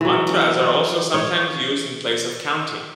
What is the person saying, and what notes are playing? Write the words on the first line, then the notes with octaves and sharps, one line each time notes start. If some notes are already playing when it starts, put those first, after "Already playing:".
Mantras are also sometimes used in place of counting.
E3 F#3
C#5